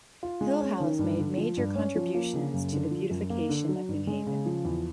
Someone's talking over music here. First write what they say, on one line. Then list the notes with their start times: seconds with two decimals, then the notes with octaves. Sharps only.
Hillhouse made major contributions to the beautification of New Haven.
0.23 F4
0.41 G#3
0.60 C#4
0.80 D#3
0.99 G2
1.18 D3
1.38 F3
1.57 G2
1.76 C#4
1.96 F3
2.15 A#3
2.33 C#3
2.53 F#2
2.73 D3
2.91 F3
3.10 F#2
3.30 A#3
3.49 D3
3.69 F#3
3.88 G2
4.07 G#3
4.27 C#3
4.46 F3
4.65 E2